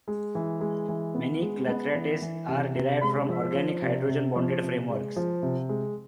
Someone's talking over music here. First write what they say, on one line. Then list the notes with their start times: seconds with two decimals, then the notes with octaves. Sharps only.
Many clathrates are derived from organic hydrogen-bonded frameworks.
0.08 G#3
0.35 E3
0.61 G#3
0.89 E3
1.15 B3
1.42 G#3
1.68 B3
1.95 E3
2.22 E3
2.48 C3
2.75 C3
3.02 G#3
3.29 F3
3.55 F3
3.82 C3
4.09 C3
4.36 F3
4.62 C3
4.89 G#3
5.16 F3
5.43 C3
5.69 G#3